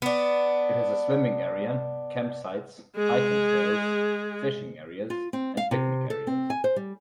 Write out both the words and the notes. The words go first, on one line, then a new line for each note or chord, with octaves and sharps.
It has a swimming area, camp sites, hiking trails, fishing areas, and picnic areas.
B3 D4
G#3 G#4
F4
C4
F5
C3
A4
C4
G#5
C5
G3